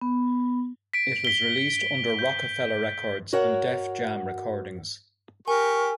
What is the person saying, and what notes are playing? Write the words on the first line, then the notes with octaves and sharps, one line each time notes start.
It was released under Roc-A-Fella Records and Def Jam Recordings.
B3
B6 D7
B6 G7
G6
F#4 A#4 C#5 F#5
G4 A#4 G#5 C#6